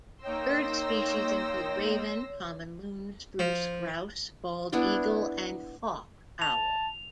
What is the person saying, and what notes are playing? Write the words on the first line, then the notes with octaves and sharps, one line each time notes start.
Bird species include raven, common loon, spruce grouse, bald eagle and hawk owl.
A#3 D#4 C#5 G5 C6 E6 A#6
F3
B3 D4 E4 D5
A5 F7